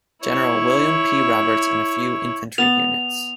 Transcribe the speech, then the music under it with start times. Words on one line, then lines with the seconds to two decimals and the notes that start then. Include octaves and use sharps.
General William P. Roberts and a few infantry units.
0.24 E4 C#5
2.58 B3 A5 F7